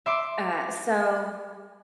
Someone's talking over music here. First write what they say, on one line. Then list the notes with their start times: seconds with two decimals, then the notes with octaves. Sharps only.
Uh, so,
0.06 E5 C6 D6